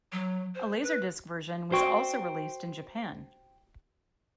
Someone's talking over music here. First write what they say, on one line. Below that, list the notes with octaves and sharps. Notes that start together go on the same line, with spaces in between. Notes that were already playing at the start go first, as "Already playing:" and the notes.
A laserdisc version was also released in Japan.
F#3
C5
B4
F#4 C5 D5 G5 C#6